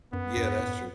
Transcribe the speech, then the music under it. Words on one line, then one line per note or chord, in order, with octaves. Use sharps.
Yeah, that's true.
F#2 B3
E2 G2
F#2 A2